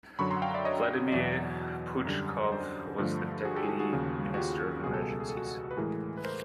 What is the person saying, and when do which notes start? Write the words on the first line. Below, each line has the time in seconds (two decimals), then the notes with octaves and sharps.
Vladimir Puchkov was the Deputy Minister of Emergencies.
0.19 F#2 D3 F#3 B5 C#6
0.30 A#5 C6
0.36 F#5
0.42 F5 G5
0.54 D5 E5
0.65 C#5 D#5
1.08 D#5
1.12 E2 B2 F#3 D5 E5
2.05 F#2 D3 G3
2.44 D#5
2.51 C5 D5
2.98 G2 D3 F3 A3
3.45 F#4 G#4
3.56 G4 A4
3.63 G#4
3.69 G4 A4
3.79 F#4 G#4
3.91 D#2 C#3 F3
4.34 F#4
4.37 F4 G4
4.84 C#2 B2 G3 G#4
4.94 A4
5.02 G#4
5.10 A4
5.20 G#4
5.29 A4
5.37 F#4 G#4
5.71 B4
5.77 A2 E3 G#3 G#4 A#4
6.17 B4
6.24 A#4 C5